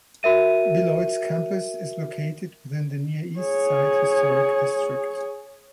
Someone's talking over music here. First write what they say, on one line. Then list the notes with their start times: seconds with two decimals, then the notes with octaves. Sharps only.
Beloit's campus is located within the Near East Side Historic District.
0.23 F#4 A#4 E5 D#7
3.39 G#4 C#5